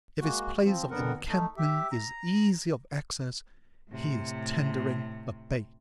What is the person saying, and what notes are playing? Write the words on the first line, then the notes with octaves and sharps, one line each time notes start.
If his place of encampment is easy of access, he is tendering a bait.
G#3 A#3 F#4
F3 C4
F2 D3 B3 A#4 F#5
A3 D#4
G4 E5
A#5
A2 C3